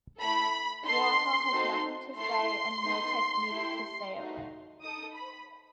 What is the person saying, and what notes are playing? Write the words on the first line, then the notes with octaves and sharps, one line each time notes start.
Warhol has nothing to say and no technique to say it with.
A3 E4 A4 B5
D#4 A4 C6
C4 D#4 F#4 A4
A3 E4 A4 C6
B3 D#4 A4
A3 E4 G4
A3 D#4 F#4
D#4 A4 D#6
B5